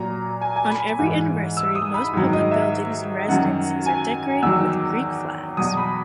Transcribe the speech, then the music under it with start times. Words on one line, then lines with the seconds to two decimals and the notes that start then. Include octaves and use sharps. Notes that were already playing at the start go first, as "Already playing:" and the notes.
On every anniversary, most public buildings and residences are decorated with Greek flags.
Already playing: A#2 F#3 A#5
0.41 G#5
0.56 G#5
0.70 B5
0.99 G#2 E3
1.57 E6
1.75 D#6
1.94 B5
2.13 G#2 D#3 F#3
2.33 D#5
2.51 E5
3.28 F#2 D#3 F#3 F#5
3.86 G#5
4.42 E2 D#3 F#3 E6
5.57 E2 B2 F#3 D#6
5.77 B5